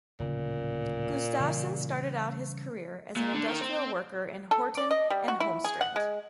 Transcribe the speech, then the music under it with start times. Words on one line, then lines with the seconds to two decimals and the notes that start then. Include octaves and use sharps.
Gustavsen started out his career as an industrial worker in Horten and Holmestrand.
0.20 D1 A#2 C#3
1.40 C#3 E3 G3
3.17 A#2
3.34 D3
3.48 D#3
3.61 C4
4.51 A4
4.77 D5
4.91 D#5
5.10 G3
5.28 F#4
5.40 E4
5.64 G#4
5.81 F#5
5.96 G#3